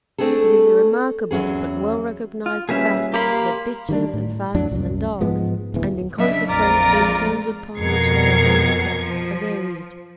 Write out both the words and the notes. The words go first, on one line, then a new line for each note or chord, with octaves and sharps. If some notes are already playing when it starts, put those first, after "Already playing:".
It is a remarkable but well recognised fact that bitches are faster than dogs, and in consequence the terms upon which they are handicapped are varied.
A3 C4 D4 G#4 A4
E2 F#3 C#4 G#4
F4
A#2 G3 C#4 G#4 B4 E5
A#3 G4 B5 C6
D#3 G3 D4
A2
F2 A2 F#3 D4
C2 F#2
G#2 F3 G#3 B3
D1 E2 E3
C#3 F#3 D4 E5
A#1 F2 F4 A#4 D5 A#5
G#3 G#4
F2 B2 A#4 G#6 C7 C#7
F3